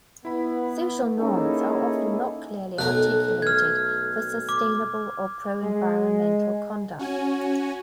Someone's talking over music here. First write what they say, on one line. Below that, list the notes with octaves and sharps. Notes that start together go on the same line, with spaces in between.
Social norms are often not clearly articulated for sustainable or pro-environmental conduct.
B3 E4 B5
A#3 C#4 D#4 E4 G#4 A4
B1 A3 A#4 F#6
F6 G#6
D6
G#3
C#4 F#4 G#5